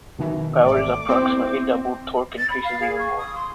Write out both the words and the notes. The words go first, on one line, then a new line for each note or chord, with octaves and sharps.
Power is approximately doubled; torque increases even more.
B2 D#3 E3
G#1 A3 D5 D6
C4 E4 G5
A6
B5
F5
G#4
C#6
D#6
C6